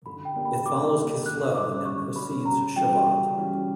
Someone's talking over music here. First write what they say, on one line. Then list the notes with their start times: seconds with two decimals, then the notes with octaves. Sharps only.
It follows Kislev and precedes Shevat.
0.06 D3 B5
0.25 G5
0.36 A#3 D4 G4
0.46 B5
0.66 D3 D6
0.96 A#3 D4 G4
1.26 D3 F#6
1.55 G3 C#4 D6
1.85 D3 C#6
2.16 G3 C#4 B5
2.45 C#3 A#5
2.76 E3 G3 C#4 F#4 G5
3.06 C#3
3.36 E3 G3 C#4 F#4